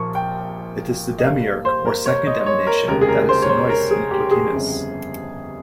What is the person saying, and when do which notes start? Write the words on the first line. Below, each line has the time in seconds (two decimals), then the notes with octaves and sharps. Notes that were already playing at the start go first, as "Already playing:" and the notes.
It is the demiurge or second emanation that is the nous in Plotinus.
Already playing: A#1 A#2 F3 A#3 C#6
0.15 G5
1.18 D#5
1.23 G2 G3 A#3 F5
1.65 C5
1.85 A#4
2.06 C#5
2.27 D#5
2.46 C#5
2.67 A#4
2.88 F1 D#2 C#3 G#3 A#4
3.01 G#4
3.09 A#4
3.29 C5
3.42 C#5
3.49 C5
3.69 A#4
3.91 G#4
4.11 G4
4.31 G#4
4.52 G1 F2 C#3